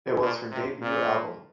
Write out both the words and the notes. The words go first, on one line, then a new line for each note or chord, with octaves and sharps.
It was her debut album.
A#2
C3
A#2